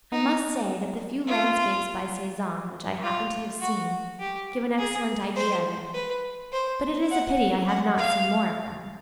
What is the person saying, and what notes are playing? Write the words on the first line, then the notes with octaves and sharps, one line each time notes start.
I must say that the few landscapes by Cezanne which I happen to have seen, give an excellent idea of it; but it is a pity I have not seen more of them.
D#4
F4
F4
F#4
G4
G#4
C5
B4
C5
F#5
F#5
F5